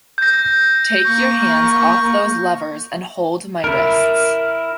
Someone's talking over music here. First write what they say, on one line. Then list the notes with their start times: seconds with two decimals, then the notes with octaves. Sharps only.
Take your hands off those levers, and hold my wrists.
0.18 G6 A#6
1.06 A#3 C#6
3.64 E4 A#4